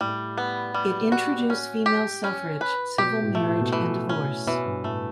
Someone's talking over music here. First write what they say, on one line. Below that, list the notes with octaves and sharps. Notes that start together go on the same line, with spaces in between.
It introduced female suffrage, civil marriage and divorce.
A2 G3
B3
G3
F#4
C#4
G4
C#4
B4
B2 G4
A2
A3
A2
B2
A2 E3
C#4
B2 E3
G2
A2 A3